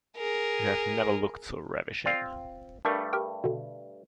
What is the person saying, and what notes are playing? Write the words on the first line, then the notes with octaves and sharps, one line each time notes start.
You have never looked so ravishing.
G#4 A#4
C4 F4 D5 F5
G2 G3 A3 D4 A#4 C#6
G4 A#4 G5
B2 D3